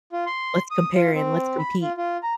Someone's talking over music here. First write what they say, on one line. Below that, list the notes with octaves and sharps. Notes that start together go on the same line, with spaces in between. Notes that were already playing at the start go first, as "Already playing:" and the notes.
Let's compare and let's compete.
F4
C6
D#6
F4
C4
B5
F4
F4
A#5